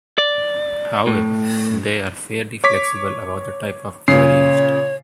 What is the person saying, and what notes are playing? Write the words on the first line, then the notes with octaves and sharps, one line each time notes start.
However, they are fairly flexible about the type of cover used.
D5
A2
C#5 D6 B6
A#2 C#3 C#5 C7